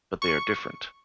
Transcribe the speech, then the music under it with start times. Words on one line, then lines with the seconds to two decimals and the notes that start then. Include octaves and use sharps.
But they are different.
0.22 C#6